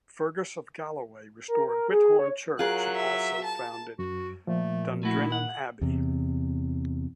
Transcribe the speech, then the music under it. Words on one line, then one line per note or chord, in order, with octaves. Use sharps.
Fergus of Galloway restored Whithorn church and also founded Dundrennan Abbey.
A#4
A#4
G#4
C#5
F#3 F4 G#4 A#4 F#6
E5
A5
F#2 F#4
A#2 F3 A3
A3 E4 F#4
F#5
E2 C3